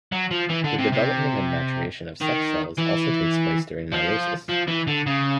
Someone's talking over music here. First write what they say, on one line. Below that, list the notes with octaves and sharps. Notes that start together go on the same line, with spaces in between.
The development and maturation of sex cells also takes place during meiosis.
F#3
F3
E3
D3
C3
C3
D#3
E3
F3
F3
E3
D3
C#3